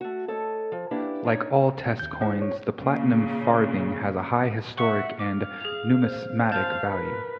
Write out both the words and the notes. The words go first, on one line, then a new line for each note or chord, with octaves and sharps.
Like all test coins, the platinum farthing has a high historic and numismatic value.
A3 F#4
A3 A4 C#5 D#5
F3
A#3 C#4 D4 E4 G4 B4
D4 D#4 C#5 D5
D2
D#2 G6
E4 G#4 C5
C#5
A#2 C#3
E5 F#5 C#6 C#7
F5 D6
G#4 F7
C5
C5 F5 A5 G6 A6
A#4 B4